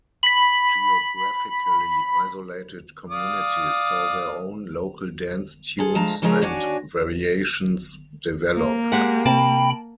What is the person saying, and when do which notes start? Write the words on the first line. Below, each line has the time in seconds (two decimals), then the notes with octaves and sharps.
Geographically isolated communities saw their own local dance tunes and variations develop.
0.23 B5 B6 F#7
3.09 D5 F5 D#6
5.78 F4 G#4 A4
5.95 D2 F3 G#3 A5 A#5
6.22 C#3 F3 G#3 G#4 A#4 C#5
6.41 D#2 D4 F#4 C#5 D5 G#5
8.56 A#3
8.92 G#3 G4 F#5
9.26 C3 G5 A5 B5